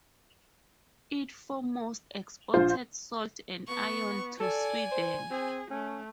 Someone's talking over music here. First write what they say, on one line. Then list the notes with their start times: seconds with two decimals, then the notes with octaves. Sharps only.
It foremost exported salt and iron to Sweden.
2.54 A#1 F4 C5
3.68 B3 C#6
4.40 A4 D5 G#5
4.92 C5
5.31 C4 G#4
5.71 A3 C#4